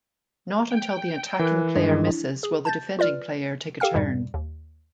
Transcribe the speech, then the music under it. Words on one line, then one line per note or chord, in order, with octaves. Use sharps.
Not until the attacking player misses will the defending player take a turn.
G5
E3 A#4 F#6
G2 D#3 G#3 D4 E4
G#4
A5 G6 A6
F4 B4 D5 F6
G4 A4 F5 G5 F6
F2 G#2 B2 G3
D#2